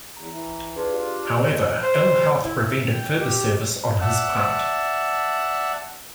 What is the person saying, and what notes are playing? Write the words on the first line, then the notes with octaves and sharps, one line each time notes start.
However ill-health prevented further service on his part.
E2 A#5
E3
D4 F4 G#4 B4
G4 D5
C5
E4
G5
G4
D5 E5 F#5 A5